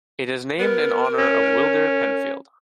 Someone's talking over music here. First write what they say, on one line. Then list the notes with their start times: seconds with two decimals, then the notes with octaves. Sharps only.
It is named in honour of Wilder Penfield.
0.59 B3 A#4
1.18 C#4